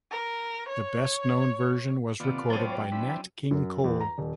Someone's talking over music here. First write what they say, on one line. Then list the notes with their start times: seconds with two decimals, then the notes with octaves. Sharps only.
The best-known version was recorded by Nat King Cole.
0.11 A#4
0.69 C#5
2.20 D#2 C3 B3 F4 D5
2.50 F#3 C#4 C5 C#5 G5 A5
2.92 C4 D4 E4 B5
3.51 F#2
3.84 E2
4.00 A#5
4.18 D#1